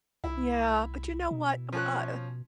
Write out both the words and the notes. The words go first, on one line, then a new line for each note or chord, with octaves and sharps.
Yeah, but, you know what, uh,
C2 E4
B2
F3 C#4 F#6